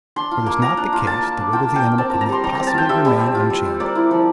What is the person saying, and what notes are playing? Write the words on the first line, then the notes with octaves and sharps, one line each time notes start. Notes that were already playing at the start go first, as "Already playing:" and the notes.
Were this not the case, the weight of the animal could not possibly remain unchanged.
D4 C6
F4
A#3
A#3 A#5
D4
F4
A#3 A5
A#3
D4
F4 G5
A#3
G5
A#3
C4 A5
F4 A#5
A#5
G3 C6
G3 A#5
C4 A#5
A5
F4 G5
G3 E5
G3
C4
F4
G3
G3
A#3 D5
E4
F3